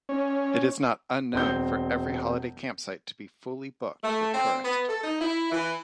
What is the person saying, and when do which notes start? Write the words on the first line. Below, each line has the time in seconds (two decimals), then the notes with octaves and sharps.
It is not unknown for every holiday campsite to be fully booked with tourists.
0.09 C#4
1.33 E1 C4 G6
4.04 A3
4.34 C4
4.64 B3
4.88 A4
5.04 D#4
5.21 E4
5.52 E3